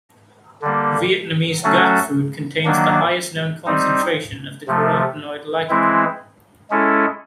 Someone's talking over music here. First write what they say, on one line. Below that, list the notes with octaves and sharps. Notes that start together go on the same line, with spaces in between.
Vietnamese gac fruit contains the highest known concentration of the carotenoid lycopene.
D3 G3 A#3
F#3 A3 C#4 F#4 A4
D#3 F#3 A#3 D4
G3 C4 D#4
C3 F3 A3
E3 G#3 C4 E4
G#3 C#4 E4 A4